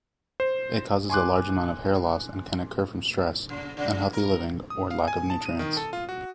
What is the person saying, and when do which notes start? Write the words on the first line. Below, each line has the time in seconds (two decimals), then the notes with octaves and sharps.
It causes a large amount of hair loss and can occur from stress, unhealthy living or lack of nutrients.
0.40 C5
1.10 G#5 C6 D6 F#6
3.50 C#3
3.77 C#3
4.13 A#4
4.70 D#6
4.91 F5
5.08 G#5
5.30 A5
5.46 D#7
5.59 D#3
5.77 A4
5.93 F4
6.09 F#4